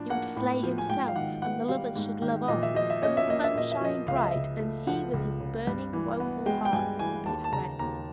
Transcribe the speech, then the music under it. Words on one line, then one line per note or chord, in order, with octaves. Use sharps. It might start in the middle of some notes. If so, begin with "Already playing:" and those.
He would slay himself, and the lovers should love on, and the sun shine bright, and he with his burning, woeful heart would be at rest.
Already playing: A2 F3 D4
A#3 F#5
A2
F3
G#5
G#2 G5
F5
D#3 F#5
B3 F#5
G3 F5
G#2
D#3
A#2 D#5
E5
F3 D#5
E5
C#4 D#5
E5
A#3 D#5
E5
A#2 D#5
E5
F3 D#5
C#2 F5
E5
D#5
C#3 E5
A3
F3 F#5
C#2
C#3
G2
E3
B3
G#3 G5
G5
G2 G#5
E3 G#5
D#2 A5
A5
C#3 A#5
D#2 A#5